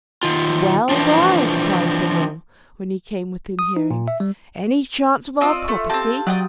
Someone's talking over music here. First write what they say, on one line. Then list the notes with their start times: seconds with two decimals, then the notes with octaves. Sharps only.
"Well, well," cried them all, when he came within hearing, "any chance of our property?"
0.23 D#3 F4
0.89 E3 F3 C4 D4
3.59 D#6
3.77 D#4
3.91 A#2
4.08 E5
4.20 G3
5.41 C4 F4 D5 D#5 E6
5.68 A3
5.90 A#3 C4 G4 G5 A5
6.27 F#3 D5 D#5 G5 D#6